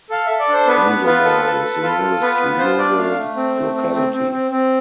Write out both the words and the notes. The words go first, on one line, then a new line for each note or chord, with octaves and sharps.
Komsomol is the nearest rural locality.
A4 F5
A4 E5
D5
D4 C5
B3 B4
B3
F4 B4
A4
A4
A4
F4 A4
F4
B3 B4
B3
F4 C5
D4 D5
A3 F5
A3
C4
A3
C4
C4
C4
C4
C4